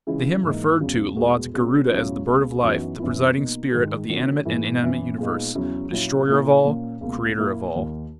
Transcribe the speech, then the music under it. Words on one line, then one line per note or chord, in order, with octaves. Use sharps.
The hymn referred to lauds Garuda as "the bird of life, the presiding spirit of the animate and inanimate universe ... destroyer of all, creator of all".
C#3 E3 G#3 C#4 E4
G#2 E3 A#3 D#4
E2 C#3 F#3
E2 B2 G#3 B3 F#4
B2 G#3 C#4 F#4
C#2 B2 F#3 C#4 E4
C#2 B2 G#3
F#2 E3 B3 D#4 F#4
F#2 E3 B3 E4
B2 A#3 D#4
G#2 D#3 G#3
D#3 A#3 C#4 F#4
G#2 E3 A#3 E4
F#2 E3 B3 E4
A#2 G#3 B3 D#4
E2 C#3 F#3 C#4 E4
A#2 F#3 C#4 E4
A#2 A#3 E4
A#2 A#3 C#4
C#2 B2 A#3
A#2 A#3 E4
D#2 D#3 A#3